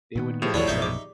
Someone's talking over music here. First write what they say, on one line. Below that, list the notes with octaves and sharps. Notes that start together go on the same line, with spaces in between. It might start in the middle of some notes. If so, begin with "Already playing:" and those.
they would give us, like,
A#2 D#3 B3
A2 F3 G4 G#4 E7
D#2 D3 E3 F#3 D4 E4 D5
A#1 F#2 B2 D#4 E5 G6
D6